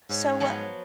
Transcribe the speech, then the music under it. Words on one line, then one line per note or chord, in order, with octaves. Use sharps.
So, uh
G#2 C#5
F3 F#3 B3